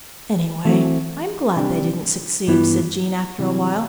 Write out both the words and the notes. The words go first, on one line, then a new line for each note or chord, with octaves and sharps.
"Anyway I'm glad they didn't succeed," said Jean after a while.
E3 A3 C4 F#4
C3 G3 D4 G4
G2 E3 B3 E4
C3 E3 G3